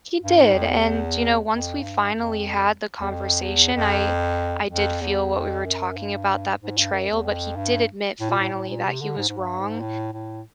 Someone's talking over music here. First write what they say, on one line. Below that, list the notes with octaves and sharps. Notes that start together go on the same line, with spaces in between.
He did, and, you know, once we finally had the conversation, I I did feel what we were talking about, that betrayal, but he did admit finally that he was wrong,
G2
G#2
F2
E2
F2
G2
F2
E2
F2
E2
F2
F2
E2
F2
F#2
G2
G#2
G2
F#2
E2
F2
G2
A2
A#2
A2
A2
A#2
C3
D3
G#2
G#2
G2
G#2
A2
A2